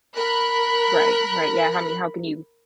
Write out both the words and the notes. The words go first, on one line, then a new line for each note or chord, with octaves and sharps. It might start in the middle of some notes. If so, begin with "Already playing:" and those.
Right, right, yeah, I mean, how can you
A#4 B5 F#6